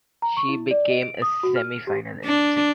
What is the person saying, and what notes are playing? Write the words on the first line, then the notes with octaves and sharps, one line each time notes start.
She became a semi-finalist.
A#5
C#6
E4
D5
D#5
D7
D#6
F#4
F6
G4
D4